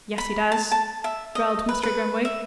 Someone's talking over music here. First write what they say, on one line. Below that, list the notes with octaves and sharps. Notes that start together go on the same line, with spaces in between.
'Yes, he does,' growled Mr. Grimwig.
B5
A5
A5
E5
D#5
B4
B4
E5